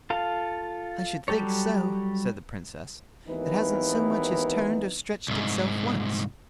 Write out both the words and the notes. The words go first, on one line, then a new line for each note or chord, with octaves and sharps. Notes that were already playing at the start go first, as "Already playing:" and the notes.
'I should think so', said the Princess; 'it hasn't so much as turned or stretched itself once.'
F4 A4 F5
F#3 G3 G4 A4 C#5
G#1 D#2 E3 B3 D#4 B4
C2 G#2